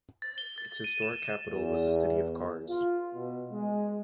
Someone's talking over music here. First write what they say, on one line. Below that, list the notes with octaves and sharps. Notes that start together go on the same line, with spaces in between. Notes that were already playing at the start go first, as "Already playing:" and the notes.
Its historic capital was the city of Kars.
A6
G7
A6
D#7
E7
E2
F4
B2
G#3